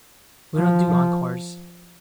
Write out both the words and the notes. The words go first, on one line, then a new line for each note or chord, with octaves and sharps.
We don't do encores.
F3